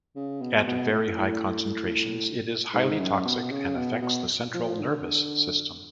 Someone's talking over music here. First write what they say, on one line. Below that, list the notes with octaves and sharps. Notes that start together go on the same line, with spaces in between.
At very high concentrations it is highly toxic and affects the central nervous system.
C#3
B2
B2
A2
A2
G#2
F#2
B2
C#3
B2
B2
F3
D3